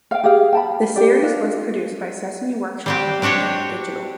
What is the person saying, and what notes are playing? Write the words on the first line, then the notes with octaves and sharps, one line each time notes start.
The series was produced by Sesame Workshop and Nick Digital.
F5 G5
G4 G#4 F5
G5 A5 B5
G4 D5
D4 F4
G3 C4 G4
C4 D4 F#4 G4 C#5